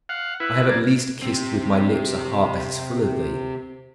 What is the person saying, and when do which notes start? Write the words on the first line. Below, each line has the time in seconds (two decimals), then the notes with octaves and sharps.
I have at least kissed with my lips a heart that is full of Thee.
0.09 F5 F#5
0.40 E4 B4 F#6
0.69 A#3 D5 G#6
1.22 C3 C4